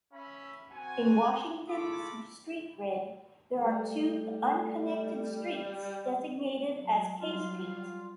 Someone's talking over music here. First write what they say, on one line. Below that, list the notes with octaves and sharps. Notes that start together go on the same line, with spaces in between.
In Washington's street grid there are two unconnected streets designated as K Street.
C#4 E5 B5
C4 F#4 F#5 G#5
G#3 A3 F4 A4 B5 D6
G3 A3 A4
F#3
F#3 G3 F4 F5